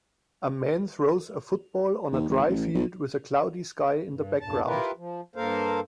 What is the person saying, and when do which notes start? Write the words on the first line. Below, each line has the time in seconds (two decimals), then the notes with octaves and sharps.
A man throws a football on a dry field with a cloudy sky in the background.
2.12 D#2
2.29 G#1
2.48 A1
2.74 B1
4.10 G2
4.40 E2 G2 A#2 A5
4.66 E4 F4 G4 A#4 B4
4.97 F3
5.36 G2 A#3 A4 A#4 C5 F5